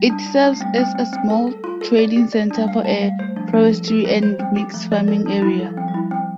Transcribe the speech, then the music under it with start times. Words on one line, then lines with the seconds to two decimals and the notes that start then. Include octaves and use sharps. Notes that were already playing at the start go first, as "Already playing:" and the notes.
It serves as a small trading centre for a forestry and mix farming area.
Already playing: G3
0.10 D4
0.26 D4
0.44 D4
0.53 A3
0.61 G3 C4
0.78 C4
0.95 C4
1.13 C4
1.30 A4
1.47 A4
1.64 F4
1.81 A4
1.99 D5
2.16 G4
2.33 D5
2.51 D4
2.56 G3
2.68 A3 F5
2.84 G3 A5
3.02 G3 F5
3.19 A3 C5
3.36 F3 D4
3.53 D4
3.71 A4
3.88 A4
4.05 G3 A3
4.23 C5
4.40 C4
4.56 G4
4.74 F3 A3
4.92 D5
5.08 A4
5.26 D4
5.42 G3 E4
5.59 A4
5.66 F3
5.77 C4
5.88 G3
5.94 E4
6.11 C4